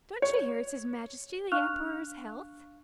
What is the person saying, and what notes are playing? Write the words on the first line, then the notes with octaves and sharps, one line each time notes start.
"Don't you hear it's His Majesty the Emperor's health?"
C#5
D4 F5 C#6 F6 F#6 F7